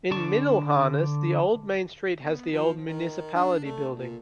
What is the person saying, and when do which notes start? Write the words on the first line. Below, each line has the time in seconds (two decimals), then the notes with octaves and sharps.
In Middelharnis the old main street has the old municipality building.
0.11 D3 D4 D5 A5 C#6
2.20 B3
2.52 F3
2.84 D#3
3.35 D4
3.64 A3
3.93 A#2